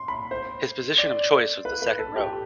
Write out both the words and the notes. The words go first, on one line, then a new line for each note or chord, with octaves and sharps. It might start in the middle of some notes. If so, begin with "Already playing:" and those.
His position of choice was the second row.
Already playing: C6
B5
C5
D5
B4
B4
A4
G4